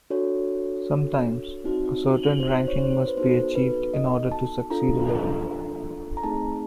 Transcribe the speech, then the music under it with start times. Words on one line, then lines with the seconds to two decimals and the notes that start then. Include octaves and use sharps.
Sometimes, a certain ranking must be achieved in order to succeed a level.
0.10 D4 F#4 A4 C#5
1.64 C4 D#4 F#4
2.40 C5
2.68 C#5
2.78 C5
3.08 B4
3.17 B3 D#4 F#4 A4 C5
3.55 B4
3.94 D#5
4.32 A5
4.70 D4 F4 A4 A#5
6.17 A#5
6.23 A3 C4 D#4 G#4 A5